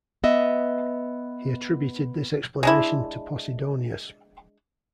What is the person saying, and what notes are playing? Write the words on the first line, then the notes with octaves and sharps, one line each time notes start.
He attributed this explanation to Posidonius.
B3 D#5 E5
G#3 D4 E4